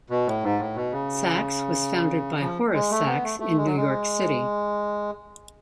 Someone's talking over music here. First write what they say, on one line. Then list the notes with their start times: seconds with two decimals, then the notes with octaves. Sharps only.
Saks was founded by Horace Saks in New York City.
0.10 B2
0.27 A2
0.43 G#2
0.59 A2
0.76 B2
0.92 C#3
2.41 F3
2.74 G#3
2.91 A3
3.07 B3
3.24 A3
3.40 A3
3.56 G#3
3.66 F#3
3.76 G#3